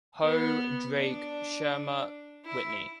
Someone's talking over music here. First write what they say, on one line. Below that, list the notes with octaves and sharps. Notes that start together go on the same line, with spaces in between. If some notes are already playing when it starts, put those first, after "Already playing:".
Howe, Drake, Shurmer, Whitney.
B3
D4
E4